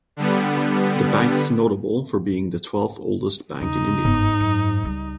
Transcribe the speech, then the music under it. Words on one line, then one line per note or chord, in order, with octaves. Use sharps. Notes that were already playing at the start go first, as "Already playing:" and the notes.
The bank is notable for being the twelfth oldest bank in India.
D3 G3 B3
E2 C#3 D#4
G1 G#2 B3
F#2
C#2 G3